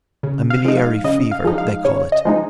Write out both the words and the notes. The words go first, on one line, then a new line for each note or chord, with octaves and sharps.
A miliary fever, they call it.
C#3
F5
F3 G#3 D#4
F5
C#3 D#5
F5
F3 G#3 D#4
F5
C#3 C#5
D#5
F3 G#3 D#4